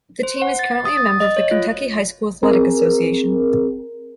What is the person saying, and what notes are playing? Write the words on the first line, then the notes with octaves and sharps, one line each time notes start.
The team is currently a member of the Kentucky High School Athletic Association.
C5
F#5
A6
D#6
A6
D#5
C#5
F4
C4 G#4 A#4